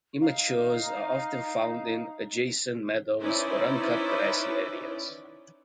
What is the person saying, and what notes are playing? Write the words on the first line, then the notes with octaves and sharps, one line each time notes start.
Immatures are often found in adjacent meadows or uncut grassy areas.
D#4 F5
C#4 D#4 E4 B4 C5 D5